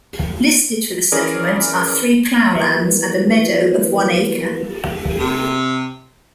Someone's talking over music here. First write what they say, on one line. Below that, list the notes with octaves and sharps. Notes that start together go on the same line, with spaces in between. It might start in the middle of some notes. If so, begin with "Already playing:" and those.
Listed for the settlement are three ploughlands and a meadow of one acre.
E3 C#4 G#4 A#4 D5
E3 F#3 G3 A#3 B3
C3